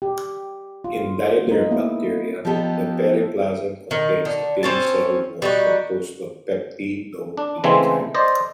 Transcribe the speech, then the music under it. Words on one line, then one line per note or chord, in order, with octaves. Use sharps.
In diderm bacteria, the periplasm contains a thin cell wall composed of peptidoglycan.
G4
F4
G#3 D#4
A#3 B3 E4
F3 B3 D#4 G4 A4
D#3
D3
C4 C#4 A5
G3 D#4 F#4
D4
C#3 E3 G#3 A3 C4
C5 D5 D#5